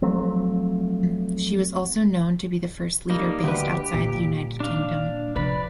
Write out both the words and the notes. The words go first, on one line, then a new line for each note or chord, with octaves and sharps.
She was also known to be the first leader based outside the United Kingdom.
F3 F#3 A3 C4
G3 A#3 D#4
D2 G4 B4
A#2 D3 G3
D4 F5
C3 F3 B4 D5 B5